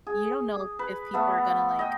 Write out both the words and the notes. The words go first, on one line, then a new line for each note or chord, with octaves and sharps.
You don't know if people are gonna, like,
G#4
B4
A3 B3
D#5 G5